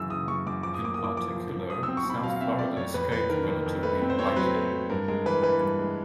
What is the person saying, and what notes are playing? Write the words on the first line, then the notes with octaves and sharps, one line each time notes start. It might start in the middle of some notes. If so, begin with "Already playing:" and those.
In particular, South Florida escaped relatively lightly.
Already playing: F#2 C#3 E3 E6
C#3 D#6
F#2 C#6
F#2 D6
F3 D6
D#6
A#3 D6
A#3 D#6
D6
F3 D6
F3
F3
F#3 D#6
C4 E6
C#6
C4 B5
F#3 F5
F5
C4 E5
A3 D5
F2 C#5
F2 B4
F2 B4
D#3 A#4
F2
F2
A3 B4
C4
C5
C4 C#5
C5
F#3 B4
A3
F#3
G2 A#4
G#3 A#4
E3 B4
E3 B4
G2
G#3